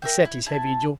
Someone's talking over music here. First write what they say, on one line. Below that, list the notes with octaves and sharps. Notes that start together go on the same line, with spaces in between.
He set his heavy jaw.
A#4 E5 G5
E4
E4 A5